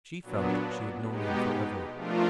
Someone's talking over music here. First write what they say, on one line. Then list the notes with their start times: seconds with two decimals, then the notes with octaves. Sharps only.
She felt she had known him for ever.
0.22 A#2 F#3 B3 D4
1.08 B2 G#3 B3 D#4 G4
1.95 F3 A3 D4 F4 A#4